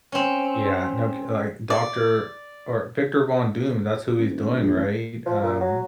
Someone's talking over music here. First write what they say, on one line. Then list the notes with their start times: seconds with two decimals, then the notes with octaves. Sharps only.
Yeah. No cu like, doctor or Victor Von Doom, that's who he's doing, right? Um,
0.12 C4 C#4
1.70 D5
4.18 D#1
4.61 A#1
4.74 A1
5.26 F3
5.43 A#2
5.60 F#3